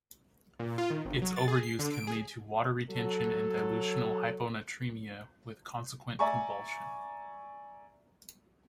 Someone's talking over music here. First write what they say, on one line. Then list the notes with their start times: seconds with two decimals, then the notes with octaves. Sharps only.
Its overuse can lead to water retention and dilutional hyponatremia with consequent convulsion.
0.59 A#2
0.78 F4
0.90 D#3
1.05 G1
1.22 F#3
1.36 A6
1.48 G#4
1.63 C7
1.79 D3
1.93 D7
2.07 G#4
2.90 F#3 A4
6.19 D5 E5 G#5 A#5 C#6